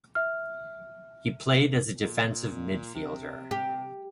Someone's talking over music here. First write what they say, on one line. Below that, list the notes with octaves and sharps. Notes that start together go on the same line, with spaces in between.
He played as a defensive midfielder.
E5 F6
A#2
C3
G4